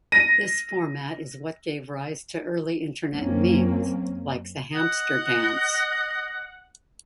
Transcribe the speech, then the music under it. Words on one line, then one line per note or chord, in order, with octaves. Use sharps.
This format is what gave rise to early internet memes, like the Hampster Dance.
A#6 D#7
F#2 A#3 C4 C#4
D#5 F#5